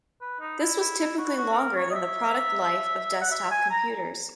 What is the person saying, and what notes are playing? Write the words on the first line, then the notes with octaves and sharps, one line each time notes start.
This was typically longer than the product life of desktop computers.
B4
D#4
E4
E4
E4
F#4
F#4
A#4
C#5
D#5
E5
F#5
E5
G#5
A#5